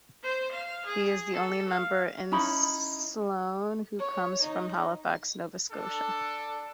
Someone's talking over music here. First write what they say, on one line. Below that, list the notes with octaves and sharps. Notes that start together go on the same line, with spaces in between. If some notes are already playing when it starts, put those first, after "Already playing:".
He is the only member in Sloan who comes from Halifax, Nova Scotia.
C5
F5
G#4
A4
F5
C#4 D#4 E4 B5
C#5
D#4
D4 A4